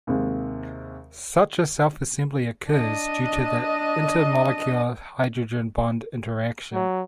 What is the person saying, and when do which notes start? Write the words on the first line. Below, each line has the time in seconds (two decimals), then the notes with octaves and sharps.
Such a self-assembly occurs due to the inter-molecular hydrogen bond interaction.
0.07 D#2 C3 G#3
2.68 D4 D#5
6.73 F#3